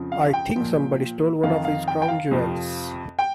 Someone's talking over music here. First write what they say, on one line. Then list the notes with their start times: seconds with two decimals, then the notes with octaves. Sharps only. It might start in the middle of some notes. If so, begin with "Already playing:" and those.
I think somebody stole one of his crown jewels.
Already playing: F2 C#3 F3
0.12 F5
0.33 G5
0.56 A#2 F3
1.43 F2 D#3 F5
1.65 F5
1.88 G5
2.02 G5
2.08 F5
2.31 F2 C3 F3
3.19 G5